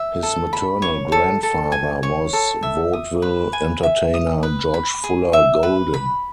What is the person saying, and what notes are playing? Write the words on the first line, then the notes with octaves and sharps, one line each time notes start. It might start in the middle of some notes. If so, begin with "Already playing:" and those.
His maternal grandfather was vaudeville entertainer George Fuller Golden.
Already playing: E5
A4
B5
C#5
A4
A4
G#5
C#5
A4
E5
D#6
B4
G#5
E5
D#6
B4
B5
G#4
E5
B4
B5